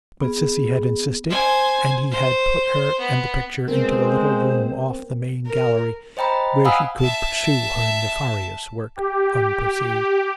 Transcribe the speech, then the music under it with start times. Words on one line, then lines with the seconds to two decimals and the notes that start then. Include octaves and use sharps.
But Cissy had insisted, and he had put her and the picture into a little room off the main gallery, where she could pursue her nefarious work unperceived.
0.21 B3 G#4
1.29 C5 G#5
2.11 C5
2.99 B3
3.68 G#3 B3 C4 A#4 C5
5.46 A#4
6.17 C5 D#5 G5 A#5 B5
6.65 F5 F#5 G#5 B5 D#6 E6
7.00 E5 A5
8.96 G4